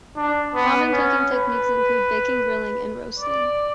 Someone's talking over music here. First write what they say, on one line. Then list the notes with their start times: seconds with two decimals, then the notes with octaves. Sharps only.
Common cooking techniques include baking, grilling and roasting.
0.17 D4
0.55 B3
0.93 C#4
1.31 B4
3.20 D5